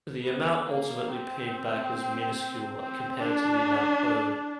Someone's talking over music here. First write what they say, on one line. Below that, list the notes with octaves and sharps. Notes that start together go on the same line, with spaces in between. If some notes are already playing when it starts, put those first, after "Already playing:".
The amount ultimately paid back was minuscule compared to the amount owed.
B3
A#3
C4
C4
D4